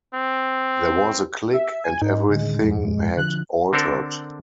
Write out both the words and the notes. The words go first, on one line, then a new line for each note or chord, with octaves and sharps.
There was a click, and everything had altered.
C4
E5
G#5
G#2 D#4
A2 D3 D#3 G#3
D#1 F2 G#2
D3 F3 F#6
D3 C4 D4 A4 A#4